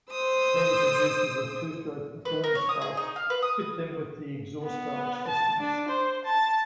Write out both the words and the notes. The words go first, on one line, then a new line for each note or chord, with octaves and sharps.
Many producers of two-stroke performance bikes fit them with the exhaust valve systems.
C5 D#6 E6
B4
A#4
C#5
D#6
G#4
D#4
F5
B4
D#6
B3
A5
D4
C5
A5